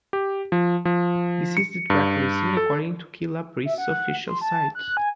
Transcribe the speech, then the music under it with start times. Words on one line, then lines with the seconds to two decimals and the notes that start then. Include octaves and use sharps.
This is the track listing according to Killah Priest's official site.
0.13 G4
0.52 F3
0.85 F3
1.57 C#7
1.90 G2
2.57 A4
3.65 E5
3.78 F#5
4.28 C6
4.41 A5
4.75 F#6
4.97 G#5